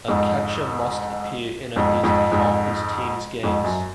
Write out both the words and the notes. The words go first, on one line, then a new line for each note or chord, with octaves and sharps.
A catcher must appear in at least half his team's games.
F2 G#2
F2 G#2
F2 G#2
F2 G#2
F2 G#2
F#2